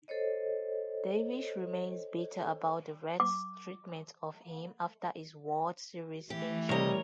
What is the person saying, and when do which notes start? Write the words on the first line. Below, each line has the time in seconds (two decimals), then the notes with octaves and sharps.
Davis remains bitter about the Reds' treatment of him after his World Series injury.
0.08 A4 C5 C#5 D#5
3.20 D6
6.30 E3 A3 G4
6.69 C3 G3 A#4 C#5 D#5